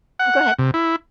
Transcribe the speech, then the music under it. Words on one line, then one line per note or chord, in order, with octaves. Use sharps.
Oh, go ahead.
F#5
C3
E4